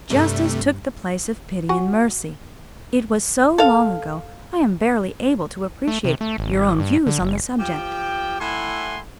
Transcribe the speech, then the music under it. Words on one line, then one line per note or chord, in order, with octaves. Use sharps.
"Justice took the place of pity and mercy; it was so long ago I am barely able to appreciate your own views on the subject."
G2 C3 G3 A3
F#4 F#5 G#5
A4 F5
A3
C3
A3
G#1
G2
D3
F#1
F3 G4 G5
A2 E4 F#5 G#5 C6